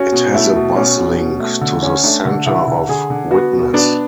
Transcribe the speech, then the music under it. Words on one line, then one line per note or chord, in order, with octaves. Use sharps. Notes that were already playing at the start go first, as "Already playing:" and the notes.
It has a Bus Link to the centre of Widnes.
Already playing: C#4 F#4
B2
A3 E4
B2
B2 C#4
B2
B2
A3
D3
C#4
A3 D4
D3
D3 E4
D3
D3 G#4
D3
B3 F#4
B2
B3 D4